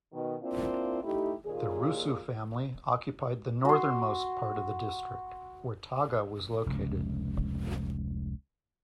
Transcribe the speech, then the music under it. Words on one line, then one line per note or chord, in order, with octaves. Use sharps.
The Rusu family occupied the northernmost part of the district, where Taga was located.
B2 D#3
A#3 C4 D4 E4 F4
A3 D#4 E4 G4
D#2 A#2 F4 G#4
F#4 C6
F1 C#2